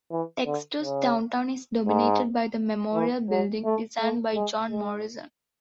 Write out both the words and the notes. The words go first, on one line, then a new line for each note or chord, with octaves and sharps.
Dexter's downtown is dominated by the Memorial Building, designed by John Morrison.
E3
D3
C#3
G#2
E3
F#3
A3
A3
G#3
G#3